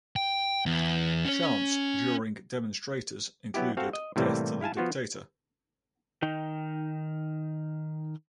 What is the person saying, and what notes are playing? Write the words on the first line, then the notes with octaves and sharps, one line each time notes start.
Chants during demonstrators included "death to the dictator".
G5
E2
C#4 C#5
F#3 B3 E4 G4
C4 F#4 A4 F5
D#5
A2 C3 E3 G3 A#3
E4 F5 G#5 A5
F3 B3 F4 F#4
D#3 D#4 G5